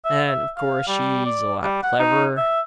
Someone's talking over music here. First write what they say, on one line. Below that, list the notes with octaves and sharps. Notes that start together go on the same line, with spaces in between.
And, of course, she's a lot cleverer.
E5
E5
F5
G3
D5
G3
F#5
D#4
E5